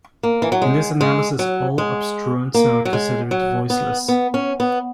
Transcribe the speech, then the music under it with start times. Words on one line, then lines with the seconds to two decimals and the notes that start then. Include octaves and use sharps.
In this analysis, all obstruents are considered voiceless.
0.23 A#3
0.42 E3
0.52 F#3
0.62 G#3
1.01 G#3
1.39 F#3
1.78 G#3
2.54 A#3
2.85 F#3
2.93 G#3
3.31 F#3
3.70 B3
4.08 B3
4.34 C#4
4.60 B3